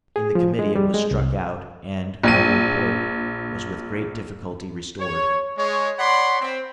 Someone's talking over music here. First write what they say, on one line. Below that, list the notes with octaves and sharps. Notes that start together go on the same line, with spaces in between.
In the Committee it was struck out, and, on the report, was with great difficulty restored.
G#4
F3
G#3
G3
G#3
C2
A#1 D#7
C#5
G#3 C#5
C#5 D5 F#5 B5 C6
C4